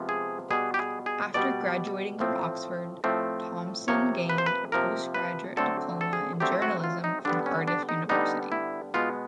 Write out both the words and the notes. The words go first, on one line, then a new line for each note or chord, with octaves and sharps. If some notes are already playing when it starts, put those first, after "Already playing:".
After graduating from Oxford, Thomson gained a Postgraduate Diploma in Journalism from Cardiff University.
Already playing: C3 F3 G#3 B3
G#4
B2 G3 B3 G#4
G4
G#4
G#4
B2 G3 B3 D5
A2 F3 A3 C4
A2 F3 A3 C4
C3 F3 A#3 C#5
B4
C5
B4
C3 F3 A#3 A#4
B4
D3 F#3 A3 C4 A4
A4
G#4
D3 F#3 A3 C4 G4
F#4
F4
D#4
D3 G3 B3 D4
C#4
D4
D#4
D3 G3 B3 D#4
E4
B2 G#3 B3 F4